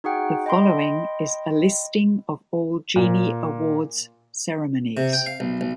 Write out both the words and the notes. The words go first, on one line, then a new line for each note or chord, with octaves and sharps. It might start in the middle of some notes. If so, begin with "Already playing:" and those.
The following is a listing of all Genie Awards ceremonies.
D#4 F#4 G#4 F#5 G5
D#5 G5 B5 C6
A#2
C3
G5
F5
B1
B1